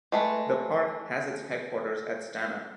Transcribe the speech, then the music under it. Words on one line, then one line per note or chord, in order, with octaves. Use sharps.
The park has its headquarters at Stanah.
G#3 A3 B4